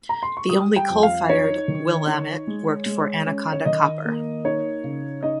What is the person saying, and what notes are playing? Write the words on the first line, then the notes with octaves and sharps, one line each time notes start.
The only coal-fired Willamette worked for Anaconda Copper.
A#5
C6
C#6
G3 D#6
G5
F2
F5
D#4 C#5
D#3
D#4
G#3
G#3
C#4
C#5
D#3 D#5
A#3
D#4 C#5
C#3
D#4 D#5